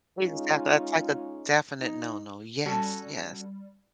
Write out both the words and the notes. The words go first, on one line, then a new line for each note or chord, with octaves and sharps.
Exactly. It's like a definite "No-no." Yes. Yes.
G#3 C#4 D#4 F4
D#4
G3 C#4 F#4 A4